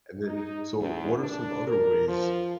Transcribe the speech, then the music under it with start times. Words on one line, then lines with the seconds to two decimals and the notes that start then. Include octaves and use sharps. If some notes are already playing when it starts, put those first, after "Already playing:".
And, then, so what are some other ways,
0.24 D#4
0.79 E2
1.20 D4
1.67 A#4
2.08 F3